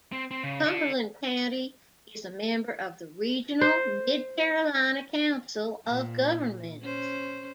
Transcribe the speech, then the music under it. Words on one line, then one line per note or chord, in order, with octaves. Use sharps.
Cumberland County is a member of the regional Mid-Carolina Council of Governments.
C4
C4
C#3
A4 D5
C5
A#2
C#4 C5